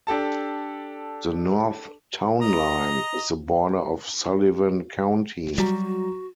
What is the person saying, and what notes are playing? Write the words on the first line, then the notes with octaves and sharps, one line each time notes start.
The north town line is the border of Sullivan County.
D4 G4 A4 A5
D#5 A#5
F#3 G3 F#4 A#5